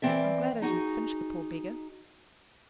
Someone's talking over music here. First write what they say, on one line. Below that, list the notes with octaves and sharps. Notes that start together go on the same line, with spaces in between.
I'm glad I didn't finish the poor beggar.
E3 C4 D5 E5
D#4 F#4 G#4